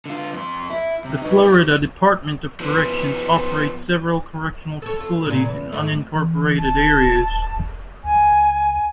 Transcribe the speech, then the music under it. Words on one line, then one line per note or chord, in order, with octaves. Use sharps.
The Florida Department of Corrections operates several correctional facilities in unincorporated areas.
D3 F4
F2 C6
E4
C3
D#4 B4
G4 A4
F3 B3
A4 C#5
F4
A#2 C#3
E2
G#2 A3
E3
D1 A5
C#2 G#5